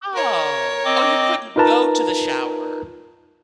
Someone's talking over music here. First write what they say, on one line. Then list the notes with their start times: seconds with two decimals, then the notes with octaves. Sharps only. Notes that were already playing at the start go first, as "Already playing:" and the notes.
Oh. Oh, you couldn't go to the shower.
0.13 A#4 C#5
0.85 C4 D#5 D6
1.56 D#4 F4 A#4 B4 A5 A#5